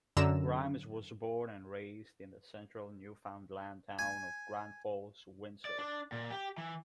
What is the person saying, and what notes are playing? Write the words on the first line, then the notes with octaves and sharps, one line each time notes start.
Grimes was born and raised in the central Newfoundland town of Grand Falls-Windsor.
F#2 D3 A#5 E6 E7
G#5
D5
D4
A#2
G4
E3